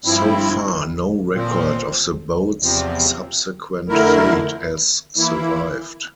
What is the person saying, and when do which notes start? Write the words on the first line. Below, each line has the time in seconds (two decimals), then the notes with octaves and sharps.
So far no record of the boat's subsequent fate has survived.
0.04 G2 F3 C4 E4
1.32 A#2 F3 C4
2.60 E2 C3 F3 C4
3.88 F2 D3 A3 E4 A#4
5.16 E3 A#3 E4